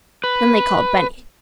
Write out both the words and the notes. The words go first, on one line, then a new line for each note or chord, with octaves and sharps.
Then they called Benny.
B4